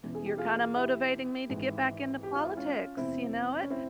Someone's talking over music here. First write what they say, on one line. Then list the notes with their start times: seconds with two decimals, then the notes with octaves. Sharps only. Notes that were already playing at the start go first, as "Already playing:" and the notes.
You're kinda motivating me to get back into politics. You know it?
0.03 E1 E2 C#3 E3
0.15 G#4
0.25 G4
0.38 F4 G#4
0.76 E4 G4
1.50 G#1 G#2 E3
2.23 G4
2.35 F4
2.46 E4
2.57 C#4 F4
2.97 F1 E2 C3 C4 E4
3.60 C#4
3.70 C4 E4